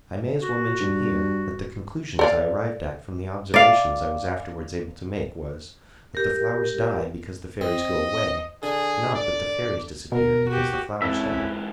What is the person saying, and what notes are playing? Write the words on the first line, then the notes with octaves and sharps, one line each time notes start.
I may as well mention here, that the conclusion I arrived at from the observations I was afterwards able to make, was, that the flowers die because the fairies go away; not that the fairies disappear because the flowers die.
F#4
G2
A4 D5 F5
D5 F5
G4 A#4
C4 D#5
D3 G#4
D5
B2 A#4
F#4 G4
G#2 E3 C4 C#4 E4 A4 E5